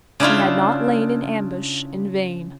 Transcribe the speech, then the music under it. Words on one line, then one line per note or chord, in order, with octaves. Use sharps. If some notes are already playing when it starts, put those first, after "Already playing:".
He had not lain in ambush in vain.
C#3 D4 E4 F4